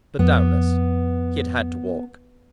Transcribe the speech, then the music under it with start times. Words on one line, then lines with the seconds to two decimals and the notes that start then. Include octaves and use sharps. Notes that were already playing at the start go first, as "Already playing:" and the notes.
But, doubtless, he had had to walk.
0.19 F2 B3